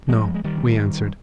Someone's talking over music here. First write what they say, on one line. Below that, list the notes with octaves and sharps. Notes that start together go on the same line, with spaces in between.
"No," we answered.
F3 G#3
G#3
D#3 G3